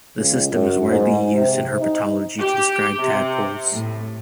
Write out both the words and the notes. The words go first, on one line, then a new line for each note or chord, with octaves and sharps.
The system is widely used in herpetology to describe tadpoles.
C#2
F#2
G#2
C3
D#4
G4
C3
A2